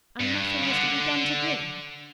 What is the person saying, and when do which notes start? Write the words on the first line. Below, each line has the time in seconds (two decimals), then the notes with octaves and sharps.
"And nothing is to be done to Green!"
0.21 G2
0.61 C#3
0.68 D3